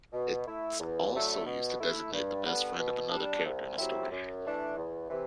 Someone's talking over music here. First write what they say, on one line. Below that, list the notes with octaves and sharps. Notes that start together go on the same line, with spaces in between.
It's also used to designate the best friend of another character in a story.
B2
A3 E4
E2
D3 F#3 A3 E4
B2
A3 E4
G2
D3 G3 B3
B2
G3 D4
C2
C3 F#3 C4 E4
F#2
E3 A3 D4
E2
C3 E3